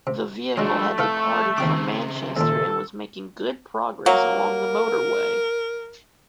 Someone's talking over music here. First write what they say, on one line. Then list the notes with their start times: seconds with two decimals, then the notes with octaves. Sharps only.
The vehicle had departed from Manchester and was making good progress along the motorway.
0.07 C3
0.57 F3 F#3 G#3 A3 D4
0.98 F2 E4 A4 B4 F5
1.58 D#2 C#3 C4 G4 D6
2.37 D#2 A#2 A4
4.06 F#3 A#3 A#4